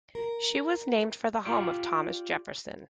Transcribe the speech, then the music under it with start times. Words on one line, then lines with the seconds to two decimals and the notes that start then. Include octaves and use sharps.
She was named for the home of Thomas Jefferson.
0.15 A#4
1.45 F4 G4 D5